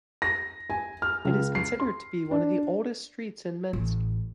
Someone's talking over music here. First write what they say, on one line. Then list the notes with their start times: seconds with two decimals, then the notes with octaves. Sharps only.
It is considered to be one of the oldest streets in Minsk.
0.22 A#6
0.70 G#5
1.02 F6
1.25 C#2
1.55 C7
1.80 C6
2.31 D4
3.73 A1